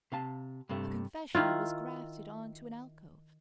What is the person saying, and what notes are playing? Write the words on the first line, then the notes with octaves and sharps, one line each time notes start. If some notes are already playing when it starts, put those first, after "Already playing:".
A confessional was grafted on to an alcove.
C3 F5 A5
G2 C3 A3
D#3 E4 F4